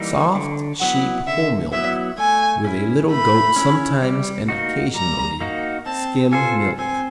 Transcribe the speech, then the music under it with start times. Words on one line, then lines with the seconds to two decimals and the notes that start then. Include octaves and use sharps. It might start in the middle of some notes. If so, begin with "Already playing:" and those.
Soft, sheep whole milk with a little goat sometimes and occasionally skim milk.
Already playing: E3 G3 A#3 D#4
0.35 D3
0.80 F#3 B3 E4 F#5
1.27 D3 E5
1.72 F#3 B3 E4 E5
2.18 A3 G#5
2.65 C#4 E4
3.11 A3 B5
3.56 C#4 E4
4.02 G3
4.49 A#3 D#4 F#4
4.94 G3 A#5
5.41 A#3 D#4 F#4
5.86 C4 A5
6.32 F4 A4 C5 G#5
6.79 C4 G#5